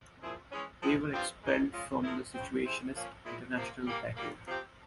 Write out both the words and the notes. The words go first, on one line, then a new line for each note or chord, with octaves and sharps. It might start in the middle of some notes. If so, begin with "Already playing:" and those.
They were expelled from the Situationist International that year.
A#2 F3 C4 E4 G#4
E3 G#3 C#4
F3 G#3 C4 E4
G2 F3 C4 F4 C5
G#2 E3 G#3
G#3 C#4 F4
F3 G#3 E4 A#4
C#3 F3 C4
G3 C4 E4 G#4 C5
F3 A#3 C#4
A#2 G#3 E4
C3 F3 A#3
E3 G3 A#3
A#2 G3 A#3
C3 F3 C4 G4